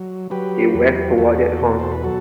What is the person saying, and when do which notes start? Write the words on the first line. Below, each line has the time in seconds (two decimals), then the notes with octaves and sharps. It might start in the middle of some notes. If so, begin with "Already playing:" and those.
He was awarded Hon.
Already playing: F#3
0.31 F#3 G4 B4
0.74 E2
1.18 E2 F#4 A4
1.61 B2
1.80 C5
1.92 B4
2.04 F#3 F#4 A4